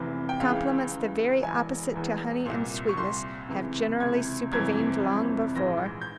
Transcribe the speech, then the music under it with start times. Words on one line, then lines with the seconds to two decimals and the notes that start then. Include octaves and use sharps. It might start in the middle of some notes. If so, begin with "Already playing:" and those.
Compliments the very opposite to honey and sweetness have generally supervened long before.
Already playing: F1 E2 C3 E3
0.29 G5
0.40 C#2 C#3 E3 F5
0.91 C#2 C#3 E3
1.43 E1 E2 E3 G#5
1.94 E1 E2 E3
2.46 C2 A#2
2.89 C#6
2.97 C2 A#2 C6
3.49 C#2 C3 E3
4.00 C#2 C3 E3 G#6
4.53 G1 F2 C3 E3 G#6
5.04 G1 F2 C3 E3
5.56 A#1 G#2 E3 A#6
6.01 G6